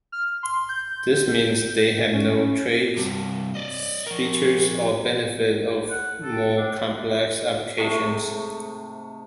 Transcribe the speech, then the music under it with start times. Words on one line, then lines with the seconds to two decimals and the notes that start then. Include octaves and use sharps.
This means they have no traits, features, or benefits of more complex applications.
0.12 F6
0.43 C6
0.69 G6
2.13 C#4
2.97 G2 C3
3.55 D5 D#5
4.07 F3 A#4
5.90 F#5
6.23 A4
6.58 D4
7.78 G#2 C3 A3